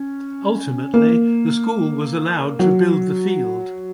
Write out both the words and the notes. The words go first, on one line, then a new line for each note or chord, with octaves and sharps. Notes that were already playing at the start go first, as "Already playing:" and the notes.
Ultimately, the school was allowed to build the field.
Already playing: C#4
A#3
F#3